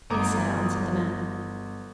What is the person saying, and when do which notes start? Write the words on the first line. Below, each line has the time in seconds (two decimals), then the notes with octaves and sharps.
"Yes, sir," answered the man.
0.10 G1 A#5 D6 D#6